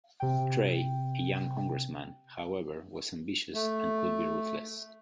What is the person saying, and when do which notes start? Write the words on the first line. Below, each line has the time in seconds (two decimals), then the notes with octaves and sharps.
Trey, a young congressman, however was ambitious and could be ruthless.
0.20 C3 G5
3.54 A3